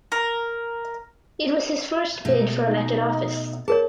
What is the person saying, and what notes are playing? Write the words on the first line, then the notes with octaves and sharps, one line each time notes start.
It was his first bid for elected office.
A#4
B2 A3
D#4
G#4 A#4 C#5 A5